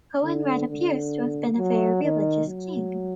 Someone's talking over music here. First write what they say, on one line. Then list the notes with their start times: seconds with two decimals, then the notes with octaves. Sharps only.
Coenred appears to have been a very religious king.
0.23 D3
0.68 D3
1.57 F#3
2.03 D#3
2.48 F#3